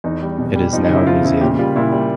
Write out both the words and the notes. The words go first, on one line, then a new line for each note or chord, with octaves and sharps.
It is now a museum.
E2 D#4
G3
B2
G3
F3 D#4
D#4
C#3
E4
F3 F4
C#3 E4
A#2 G4
G3 F4
A#2 E4
G3